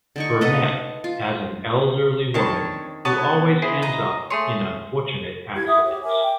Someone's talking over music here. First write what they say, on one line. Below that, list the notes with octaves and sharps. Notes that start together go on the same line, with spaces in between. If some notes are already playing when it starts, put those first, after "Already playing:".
Burnett as an elderly woman who always ends up in unfortunate accidents.
D3 D#4 C#6
A4 B4 D#5 F#5
F4
D#3 C4 D4 C#5 A5
B3 C#5 A5
E4 G#4 C5
D#5 A#5
A3 G#4 C#5 C6
E4 G4 G#6
E4 E5 F#5 D#6
G4 C#5
A#4 E5 G#5 D6
G5